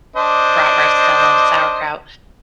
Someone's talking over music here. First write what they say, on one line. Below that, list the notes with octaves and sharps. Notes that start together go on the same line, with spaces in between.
bratwurst. I love sauerkraut.
D4 C5 D#5